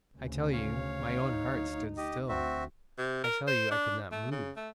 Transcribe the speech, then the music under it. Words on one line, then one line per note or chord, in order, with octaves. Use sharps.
I tell you, my own heart stood still; I tell you I could not move.
D2 C#3
C#5 F5
D2 D#4
G4 D#5
D2 C4 F#4 E5
C3
A#4
C5
D4
A3
C#3
A3